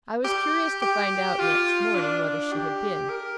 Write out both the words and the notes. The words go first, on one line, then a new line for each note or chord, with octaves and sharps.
I was curious to find out next morning, whether she had been.
G4
G4
F4
D4
G4
A#4